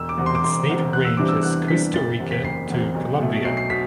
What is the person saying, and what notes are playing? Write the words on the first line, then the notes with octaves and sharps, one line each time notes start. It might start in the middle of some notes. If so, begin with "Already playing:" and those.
Its native range is Costa Rica to Colombia.
Already playing: E1 E6
D6
E2 C3
C6
D6
E1 C6
E2 C3
E2 F#6
E6
C3 E3 G3 D4 D6
E6
E2 F#6
C3 E3 G3 D4 B6
F#1 A6
E2 C3
B6
F#1 C7
E2 C3
B1
B2 A3
B1 C7
C7
B2 B6